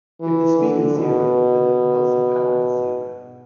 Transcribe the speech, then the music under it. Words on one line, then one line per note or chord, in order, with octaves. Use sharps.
If the speed is zero, then the propulsive power is zero.
E3
D3
B2